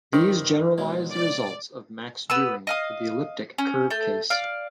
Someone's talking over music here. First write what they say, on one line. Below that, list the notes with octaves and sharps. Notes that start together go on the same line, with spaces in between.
These generalise the results of Max Deuring for the elliptic curve case.
G2 D#3 C4 B5
B2 F#3 G#3
D5
B3 B4 E6
D#5 F5 D#6
C#4
A3 G6
D5 F5